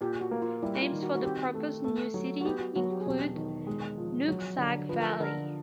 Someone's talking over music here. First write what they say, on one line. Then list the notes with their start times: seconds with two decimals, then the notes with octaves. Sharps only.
Names for the proposed new city include "Nooksack Valley".
0.01 A#2 G4
0.21 F#4
0.31 A#3
0.42 F4
0.62 G3 E4
0.82 F4
0.93 D#3
1.03 F#4
1.15 F#4
1.23 C4 G4
1.54 A3
1.84 A3
2.14 F#3
2.41 F#4
2.45 B3 G4
2.60 F#4
2.76 F#3 F#4
2.91 G4
3.01 G#4
3.06 E1 G4
3.36 D#3
3.66 G#3
3.98 F3
4.28 F#3
4.58 D3
4.89 F3 B4
5.00 A#4
5.10 A4
5.20 D3 A#4